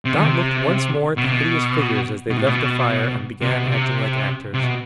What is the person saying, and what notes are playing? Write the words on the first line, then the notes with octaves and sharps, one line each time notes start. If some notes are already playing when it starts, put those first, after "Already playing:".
Dot looked once more at the hideous figures as they left the fire and began acting like actors.
C3
D#3
C3
B2
C3
B2
B2
A2
B2
C3
B2
C3
C3
B2